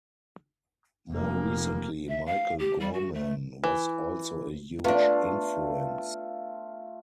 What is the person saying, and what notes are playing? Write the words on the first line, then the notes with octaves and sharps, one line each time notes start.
More recently Michael Gorman was also a huge influence.
F1 A#3
E5
F5
G4
G3
F#4
A3
E3
A3 B3 D4 F4